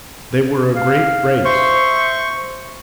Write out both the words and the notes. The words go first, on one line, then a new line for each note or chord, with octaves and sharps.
They were a great race.
F5
C5 E5 C#6